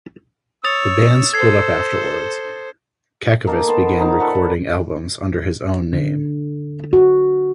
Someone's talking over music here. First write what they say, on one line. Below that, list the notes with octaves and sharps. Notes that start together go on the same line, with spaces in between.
The band split up afterwards; Cacavas began recording albums under his own name.
C#5 D#6 E6 A6 F7
A4 C5 G#6 C7
D#3 A#3 D#4 A4
B3 C5 A5
B4
F3 A#3 D#4
A4 B4 D5 F#5
D3
F#4